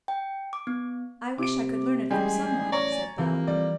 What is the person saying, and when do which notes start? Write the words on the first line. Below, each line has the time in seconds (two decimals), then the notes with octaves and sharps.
"I wish I could learn it from some one," said Bell.
0.08 G5
0.53 D6
0.67 B3
1.38 C3 D6 D7
2.11 A1 G3 G#3 G4 G#4
2.72 C#5 D5 A#5 C#6
2.92 G#5
3.18 F2 E3 A#3 G4
3.47 G3 D5